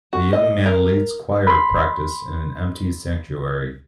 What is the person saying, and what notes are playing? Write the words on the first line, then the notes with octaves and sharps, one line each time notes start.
A young man leads choir practice in an empty sanctuary.
F#4
D#5
A#4
B5 C6